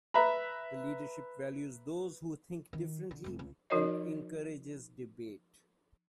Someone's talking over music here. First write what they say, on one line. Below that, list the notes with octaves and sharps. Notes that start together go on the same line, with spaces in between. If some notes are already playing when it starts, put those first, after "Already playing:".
The leadership values those who think differently and encourages debate.
B4 E5 A#5 B5
D#3
D3
F1 A3
C#2
F3 D#4 F#4 A#4 C#5 D#5